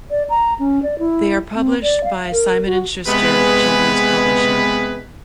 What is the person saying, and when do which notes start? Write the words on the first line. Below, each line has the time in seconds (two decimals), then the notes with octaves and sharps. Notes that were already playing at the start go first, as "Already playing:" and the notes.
They are published by Simon and Schuster Children's Publishing.
0.11 D5
0.30 A#5
0.59 C#4
0.83 D5
0.99 E4
1.56 C4
1.82 D5
2.04 F5
2.32 A#4
2.66 F#4
3.07 C3 G#3 B3 G#4 B4